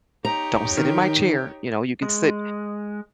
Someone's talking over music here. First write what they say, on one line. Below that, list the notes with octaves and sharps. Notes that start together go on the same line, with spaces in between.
"Don't sit in my chair." You know, "You can sit"
D#4 G4 C#5 A#5
D#3
G#3